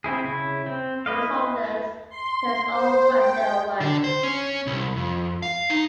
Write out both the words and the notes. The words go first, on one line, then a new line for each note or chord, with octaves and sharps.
Amongst others, he directs all Wagner’s works.
C4 E4 G#4
C#3 E4
C4
E4 B4 D#5 F5
C6
C5
G5
D3
C5
C#4
C2
F2
F5
D#4